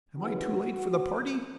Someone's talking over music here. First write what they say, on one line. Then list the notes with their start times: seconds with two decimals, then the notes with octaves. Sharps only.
"Am I too late for the party?"
0.18 D#2 C#3 E3 B3 F#4